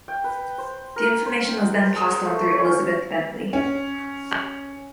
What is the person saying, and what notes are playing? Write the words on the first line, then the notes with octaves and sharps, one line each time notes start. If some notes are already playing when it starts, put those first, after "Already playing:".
The information was then passed on through Elizabeth Bentley.
G5
B4
C5
A#4
C5
F#5
G#4
A3
C#5
C#4
C#4